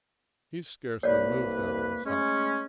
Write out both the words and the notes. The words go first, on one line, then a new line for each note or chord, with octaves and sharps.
He scarcely moved out of his hut.
C2 A#3 B4 C#5 D5
G#3 A3 C#4